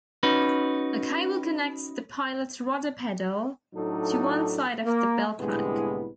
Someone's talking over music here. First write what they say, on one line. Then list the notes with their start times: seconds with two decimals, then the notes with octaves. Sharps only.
A cable connects the pilot's rudder pedal to one side of the bellcrank.
0.23 C#4 D#4 F#4 B4
3.75 A2 F#3 D4 D#4 A4
4.85 A#3
5.39 C2 A2 D3 G#3 B3